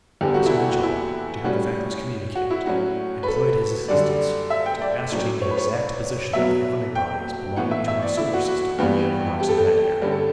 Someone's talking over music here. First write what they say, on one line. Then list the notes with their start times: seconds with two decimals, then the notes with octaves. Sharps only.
Professor Mitchell, to whom the fact was communicated, employed his assistants to ascertain the exact position of the heavenly bodies belonging to our solar system on the equinox of that year.
0.21 E2 D3 G3 B3 G4
0.34 F#4
0.46 E4
0.59 F#4
0.71 F#4
0.83 E4
1.44 A2 G3 C#4 F#4
2.35 F#4
2.51 E4
2.66 A2 F#3 C#4 F#4
3.23 B4
3.27 A4
3.88 F#2 D3 G3 D5
4.50 E5
4.66 G5
4.81 D5
5.12 A2 F#3 C#4
5.42 C#5
5.50 B4
5.57 C#5
5.73 D5
6.33 B2 F#3 B3 E5
6.95 G5
7.56 A2 E3 B3 F#5
7.71 E5
7.88 E5
8.03 D5
8.17 E4
8.34 F#4
8.48 F#4
8.78 G2 E3 G3 B3 G4
9.40 G4
9.49 A4
9.58 G4
10.02 G2 D3 G3 C#4 G4
10.12 A4